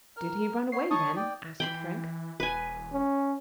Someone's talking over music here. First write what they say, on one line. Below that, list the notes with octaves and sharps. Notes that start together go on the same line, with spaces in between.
"Did he run away then?" asked Frank.
A#4 F6
B3 C#5 C7
D#4 C#5 A5 C#6 D#6
D5 G5
E3 G5 B5 C6
E1 B4 G#5
C#4